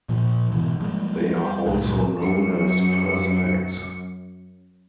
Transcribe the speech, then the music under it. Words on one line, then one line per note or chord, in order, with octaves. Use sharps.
They are also known as purse packs.
A#2 F3
G#2 B2 E3
F3 G3 G#3 A#3
G3
C2 G#2 G#3
C#2 G2 A#2 F#3
F#2 C#7